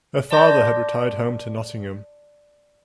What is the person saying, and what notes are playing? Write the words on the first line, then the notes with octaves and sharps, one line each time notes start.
Her father had retired home to Nottingham.
D5 A5 C6 D6 G6 A#6